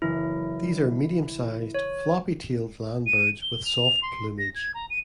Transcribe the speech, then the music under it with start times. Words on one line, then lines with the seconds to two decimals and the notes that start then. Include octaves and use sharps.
These are medium-sized, floppy-tailed landbirds with soft plumage.
0.02 F#1 E3 E4 A#5
0.64 G3
1.74 C#5
3.06 D#7
3.42 G7
3.65 F7
4.02 C6
4.39 A#6
4.55 G#6
4.74 A#5
4.90 D#7